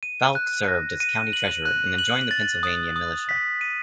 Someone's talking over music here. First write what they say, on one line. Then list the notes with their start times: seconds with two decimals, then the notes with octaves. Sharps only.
Faulk served as county treasurer and then joined the Pennsylvania militia.
0.03 D#7
0.35 F#6
0.68 A#6
1.00 D#7
1.33 F#7
1.65 F#6
1.98 F#7
2.31 A6
2.63 D#6
2.96 D#6
3.29 B6
3.61 D#7